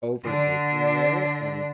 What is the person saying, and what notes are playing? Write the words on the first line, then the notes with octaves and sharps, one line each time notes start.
overtaking you, and
D3 D4